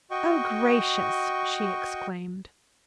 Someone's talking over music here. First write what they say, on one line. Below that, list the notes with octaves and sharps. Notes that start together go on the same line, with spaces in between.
"Oh, gracious!" she exclaimed.
F#4 D#5 G5 C#6